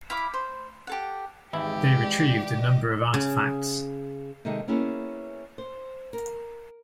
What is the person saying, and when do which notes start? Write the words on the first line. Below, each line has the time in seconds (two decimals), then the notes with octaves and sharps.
They retrieved a number of artifacts.
0.10 E4 F5 B5 D6
0.34 C5
0.87 G4 A4 F#5
1.53 G#1 E3 G#3 D#4 E4 G4
2.03 D5
2.44 D#5 D6 A#6
3.14 C#3
4.45 C3 D#3 G#3 D#4 A4
4.68 A#3 B3 C#4 E4 G#4
5.58 C5
6.13 A#4